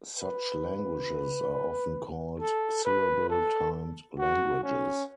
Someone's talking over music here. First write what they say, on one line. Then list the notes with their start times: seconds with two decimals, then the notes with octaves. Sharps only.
Such languages are often called syllable-timed languages.
0.16 B4
2.40 A4
2.85 B4
3.30 A4
4.18 F#4
4.63 C#4